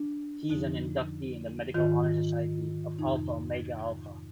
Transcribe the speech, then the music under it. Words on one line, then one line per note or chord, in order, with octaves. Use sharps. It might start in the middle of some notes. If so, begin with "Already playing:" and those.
He is an inductee in the medical honor society of Alpha Omega Alpha.
Already playing: D4
F2 D3 F3 D#4
G#2 D#3 F4
F2 C3 D#3 D#4